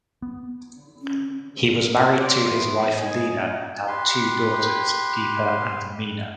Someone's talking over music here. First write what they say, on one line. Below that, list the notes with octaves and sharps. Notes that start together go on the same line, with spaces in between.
He was married to his wife Leena and had two daughters Deepa and Mina.
B3
C#4
A#3 C#5 D5 C6
E3 B3
D#5 G#5
G4 B4 C6